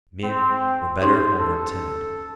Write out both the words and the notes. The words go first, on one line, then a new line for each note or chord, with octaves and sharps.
Men were better, or more timid.
C4
C#4 D#4 G4 C5
A4